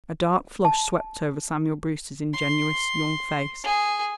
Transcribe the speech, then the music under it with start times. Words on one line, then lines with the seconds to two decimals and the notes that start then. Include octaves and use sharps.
A dark flush swept over Samuel Brewster's ingenuous young face.
0.65 A5
2.34 C6
3.64 G#4